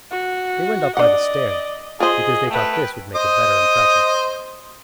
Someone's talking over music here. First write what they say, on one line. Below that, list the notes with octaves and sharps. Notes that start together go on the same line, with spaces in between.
They went up by the stair, because they thought this would make a better impression.
F#4
D4 D5 D#5 F#5
F4 G#4 C5 D#5
A3 B4 G5
C5 D#5 D#6